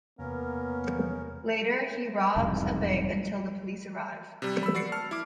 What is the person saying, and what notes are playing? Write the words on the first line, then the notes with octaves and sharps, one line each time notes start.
Later, he robs a bank until the police arrive.
E2 C3 A#3 B3 C#4 A#4
E1 C2 F2 G#2
C3 G3
B5 E6
F#4 D5 C7 C#7
A5 F6
E4 D6